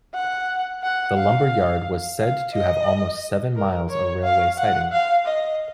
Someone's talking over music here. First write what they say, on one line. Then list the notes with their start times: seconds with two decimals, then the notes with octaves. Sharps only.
The lumber yard was said to have almost seven miles of railway siding.
0.14 F#5
0.83 F#5
1.17 F5
2.19 F5
2.52 D#5
3.56 A#4
3.89 C#5
4.23 F5
4.57 F#5
4.92 F5
5.26 D#5